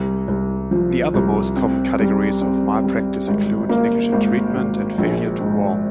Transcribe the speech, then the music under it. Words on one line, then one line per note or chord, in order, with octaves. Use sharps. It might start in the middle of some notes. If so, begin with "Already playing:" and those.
The other most common categories of malpractice include negligent treatment and failure to warm.
Already playing: C2
C2
F3
C2
C4
G3
C4
G3
G#1
A#3
G#1
G#1
A#1
G#2